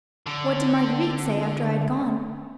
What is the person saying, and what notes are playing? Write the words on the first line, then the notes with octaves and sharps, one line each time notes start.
"What did Marguerite say after I had gone?"
D3